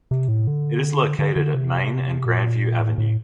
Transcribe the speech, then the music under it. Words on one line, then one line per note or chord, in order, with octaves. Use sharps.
It is located at Main and Grandview Avenue.
C3
A2
D3
D3
D3
C3
A#2
A2
A2